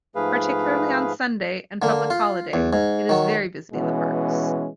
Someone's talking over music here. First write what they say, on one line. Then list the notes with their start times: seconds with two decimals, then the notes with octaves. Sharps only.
Particularly on Sunday and Public Holiday, it is very busy in the parks.
0.16 G#2 F3 A3 G#4 B4 F5
1.82 D3 A#3
2.10 F4
2.54 E2
2.73 G#2
3.09 D#3 F#3
3.73 B2 E3 G#3 C#4